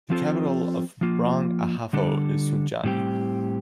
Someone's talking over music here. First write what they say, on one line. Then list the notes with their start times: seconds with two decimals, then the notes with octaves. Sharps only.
The capital of Brong-Ahafo is Sunyani.
0.10 F3 C4 F4 A4 C5
1.01 F3 A#3 F4
1.93 D3 G3 D4 A4
2.84 A2 G3 C4 G4